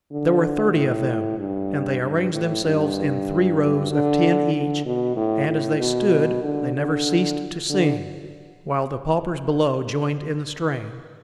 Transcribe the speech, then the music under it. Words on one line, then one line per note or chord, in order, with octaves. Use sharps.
There were thirty of them and they arranged themselves in three rows of ten each, and as they stood they never ceased to sing, while the paupers below joined in the strain.
D3
A2
G2
G2
A2
G2
D3
D3
B2
A2
A2
B2
D3
D3
D3